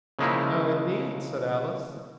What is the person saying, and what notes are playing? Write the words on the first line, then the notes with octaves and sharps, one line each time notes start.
'No, indeed,' said Alice.
C#3 F3 G#3 A#3 D#4 E4